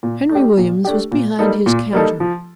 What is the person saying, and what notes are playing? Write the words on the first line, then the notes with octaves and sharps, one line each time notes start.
Henry Williams was behind his counter.
A#2
A3 D4 G4
A#2
A3 D4 G4
A#2
G3 A#3 D#4 A4
A#2
G3 A#3 D#4 A4
F3